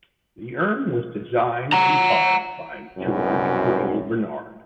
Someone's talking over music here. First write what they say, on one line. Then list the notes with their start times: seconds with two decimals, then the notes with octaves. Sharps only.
The urn was designed and carved by George Grey Barnard.
1.73 F#5 A#5
2.97 C2 F#2 B2